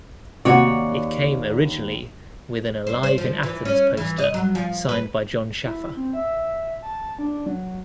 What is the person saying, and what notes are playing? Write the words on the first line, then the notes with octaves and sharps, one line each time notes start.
It came originally with an Alive in Athens poster signed by Jon Schaffer.
D#2 C3 F#4 C#5 D5
C5
C5
F3
E3
C#4
E3
D#5
F#3
F3
B4
E4
C4
E5
A5
D4
F#3